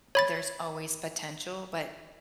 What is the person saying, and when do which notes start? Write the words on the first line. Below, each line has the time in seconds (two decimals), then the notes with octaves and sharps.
there's always potential, but,
0.15 C#5 B5 A6